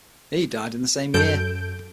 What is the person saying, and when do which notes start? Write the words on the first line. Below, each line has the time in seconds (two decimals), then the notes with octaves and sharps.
He died in the same year.
1.14 F#2 A4 G6 D7